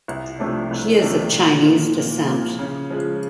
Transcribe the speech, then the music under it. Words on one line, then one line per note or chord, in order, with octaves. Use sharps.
He is of Chinese descent.
C2
C3 F3 A3 D4
C2
C3 F3 A3 D4
A#2
F3 A#3
A#2
F3 A#3
C#3
F3 G#3